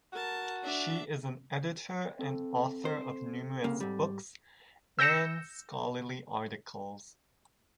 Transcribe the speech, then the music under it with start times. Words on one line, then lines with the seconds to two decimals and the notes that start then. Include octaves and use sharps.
She is an editor and author of numerous books and scholarly articles.
0.12 F#4 A#4 A5
0.63 D4 E5
2.19 C4 A4
2.85 C5
3.64 C2 C#3 A#3
3.80 G#2 G3
4.99 E6 G6 A#6 C#7 E7